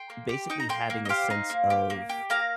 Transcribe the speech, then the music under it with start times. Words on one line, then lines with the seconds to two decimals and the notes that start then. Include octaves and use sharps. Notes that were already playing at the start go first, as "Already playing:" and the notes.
basically, having a sense of
Already playing: G5 C6
0.10 A#3
0.29 G4
0.50 D#4 G5
0.60 A#5
0.69 A#3 G5 C6
0.90 A#3
1.05 D#5
1.09 G4 C5 F5
1.30 D#4
1.50 A#3
1.70 G4
1.90 A#3
2.09 G4
2.30 A#3 F5 A#5